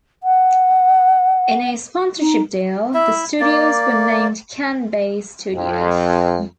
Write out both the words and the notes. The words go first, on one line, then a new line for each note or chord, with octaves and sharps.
In a sponsorship deal, the studios were named "Can-Base Studios".
F#5
D#4
E4 E5
A#3 D5
F2